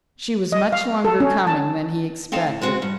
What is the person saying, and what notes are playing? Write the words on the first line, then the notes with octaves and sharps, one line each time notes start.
She was much longer coming than he expected.
D#5
F5
A4
C#4
A5
C4 D#4 A4 F5 A5
A2
G#3 C4 F#4 C5
G2